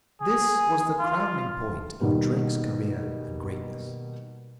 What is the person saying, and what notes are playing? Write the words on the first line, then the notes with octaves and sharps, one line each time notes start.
This was the crowning point of Drake's career and greatness.
G#4
F4
B2 D#3 G3 A#3